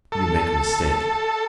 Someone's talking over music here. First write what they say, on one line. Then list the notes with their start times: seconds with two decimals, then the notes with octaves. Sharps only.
"You make a mistake."
0.12 A4